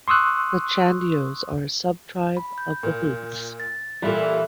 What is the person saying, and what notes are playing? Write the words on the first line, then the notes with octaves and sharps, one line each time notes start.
The Chandios are a sub-tribe of the Hooths.
C6 C#6 D#6 E6 F#6
B5
G6
A#2
A6
A#2 E3 G3 E4 F4 A4